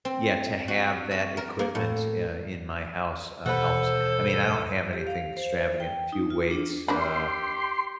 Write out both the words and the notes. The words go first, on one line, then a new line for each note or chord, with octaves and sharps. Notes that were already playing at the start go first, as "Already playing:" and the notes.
yeah, to have that equipment, uh, in my house, uh, helps. I mean, I don't have anything extravagant, a few weights, uh,
C4
F#4
F#4
A#4
A#3
A2
D#2 B2 E3 A4 B4 C5 F#5
G4
F5
C5
G5
D#4
F4
D4
A#3 D4 G4 B5 C6